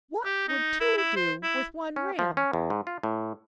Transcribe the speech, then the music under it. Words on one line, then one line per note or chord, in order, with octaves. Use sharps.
What would two do with one ram?
G4
D#4
E4
E4
C5
E4
C#4
F3
C#4
E2
G#2
F4
A2